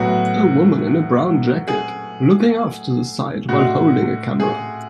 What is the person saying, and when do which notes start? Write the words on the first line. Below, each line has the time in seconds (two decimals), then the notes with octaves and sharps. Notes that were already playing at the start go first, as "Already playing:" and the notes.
A woman in a brown jacket looking off to the side while holding a camera.
Already playing: A2 F#3 B3 F#4
1.68 G#4
3.49 A2 G#3 D4 F#4
4.40 G#4